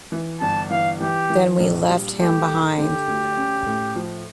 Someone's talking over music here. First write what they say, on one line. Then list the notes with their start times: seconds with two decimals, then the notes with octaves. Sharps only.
Then we left him behind.
0.12 E3
0.41 G1 A5
0.70 E3 F5
1.00 E3 G4
1.30 E3
1.60 A#1
1.89 G3
2.19 A3 G4
2.48 A3
2.78 D3 G4
3.07 D2
3.37 C#4
3.67 A2
3.96 F3